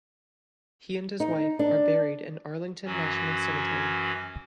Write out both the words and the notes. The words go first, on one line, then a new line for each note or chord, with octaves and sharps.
He and his wife are buried in Arlington National Cemetery.
D#4
D4
F#2 E3 F#3 C#4 F#4